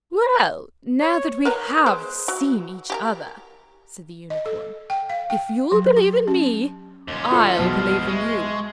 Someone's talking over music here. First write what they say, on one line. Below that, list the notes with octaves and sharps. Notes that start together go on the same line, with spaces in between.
'Well, now that we HAVE seen each other,' said the Unicorn, 'if you'll believe in me, I'll believe in you.
C#5
A#4 B4 A#5
G#3 B3 C5
F#3
G4 G#4 A#4
D#5
A4
G5
F5
G5
F#3
G4
C#4
D#2 C#4 C6 D6
F4 A4 C5
B1 B2 G#3 F6
G#3 E5 C#6